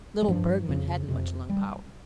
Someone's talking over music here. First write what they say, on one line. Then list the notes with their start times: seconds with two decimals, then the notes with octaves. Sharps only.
Little Bergmann hadn't much lung power.
0.22 G3
0.28 G2 F3
0.69 F2 C#3
1.08 F2 C3
1.50 G3